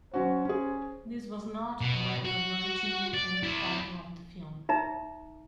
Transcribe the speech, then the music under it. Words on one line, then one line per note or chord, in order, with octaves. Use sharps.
This was not, however, the originally intended title of the film.
F#3 C#4 F#4 C5
C#4 G#4
B2
F#4
D5
E4 D5
D#4 E5 A#5